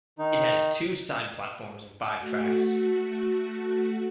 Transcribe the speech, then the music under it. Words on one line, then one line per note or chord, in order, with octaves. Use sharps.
It has two side platforms and five tracks.
D#3 D#4
A3 F#4